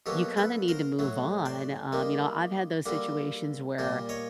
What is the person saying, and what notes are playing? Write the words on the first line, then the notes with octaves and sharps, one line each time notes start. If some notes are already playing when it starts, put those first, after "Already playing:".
you kinda need to move on, um, you know, I've had those situations where,
B2 F#3 A#3 G4 A4
A4 B4
A#4 C5
A2 F#3 A3
C5 D5
D#3 G3 A#3
D3 G3 A#3
A#2 G3 A#3
C#5 D#5